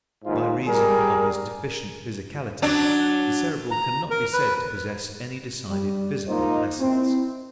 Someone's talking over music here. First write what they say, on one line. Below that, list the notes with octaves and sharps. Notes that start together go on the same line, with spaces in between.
By reason of his deficient physicality the Cerebral can not be said to possess any decided physical assets.
D#2 G#2 F4
G3 G#4 A#4
F#3 D4
A#5
A#4
B4
G3
G#2 A#3 D#4 F4 C5 D#5
C4 E4